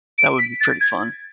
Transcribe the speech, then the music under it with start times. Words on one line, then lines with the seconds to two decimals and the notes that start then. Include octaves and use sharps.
That would be pretty fun.
0.18 D7
0.39 B6
0.60 A6
0.80 G#6